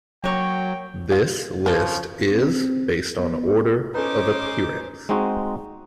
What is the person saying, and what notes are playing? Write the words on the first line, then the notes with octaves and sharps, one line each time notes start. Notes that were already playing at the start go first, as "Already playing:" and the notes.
This list is based on order of appearance.
F#3 A#3 C#5 G5
F4
C#3 F3 A4 A#4
C4
B3
C#4 D#4 A4 B4 C5 D6
G#3 C4 D#4 F#4